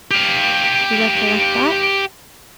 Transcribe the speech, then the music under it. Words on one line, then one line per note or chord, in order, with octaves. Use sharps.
You recollect that?
G4 F5